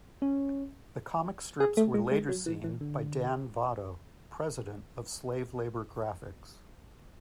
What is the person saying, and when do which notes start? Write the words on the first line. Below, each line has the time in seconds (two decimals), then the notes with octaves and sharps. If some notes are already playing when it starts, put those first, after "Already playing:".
The comic strips were later seen by Dan Vado, president of Slave Labor Graphics.
0.22 C#4
1.60 G#4
1.77 A3
1.94 G#3
2.12 G#3
2.29 F#3
2.46 E3
2.64 E3
2.81 D3